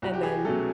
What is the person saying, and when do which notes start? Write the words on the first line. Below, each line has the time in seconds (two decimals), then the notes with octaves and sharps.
and then
0.02 C2 F#4
0.13 G4
0.23 G#4
0.45 B2 F#3 A3 C#4 A4